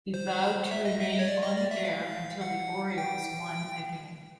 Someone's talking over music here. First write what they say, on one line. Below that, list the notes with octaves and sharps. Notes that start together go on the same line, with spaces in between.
He vowed to remain on the air until the Orioles won a game.
C5
E5
D#5
E5
D#5
C#5
D5
D#5
D5
E5
F5
F#5
G5